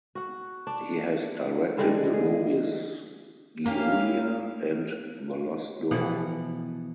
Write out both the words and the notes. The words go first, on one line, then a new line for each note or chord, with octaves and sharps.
He has directed the movies "Giulia" and "The Lost Door".
F#4 F#5
D4
D3 E3 G3 G#3
G#4
A#3 C#4 E4 G4 F5
B2 E3 F3 F#5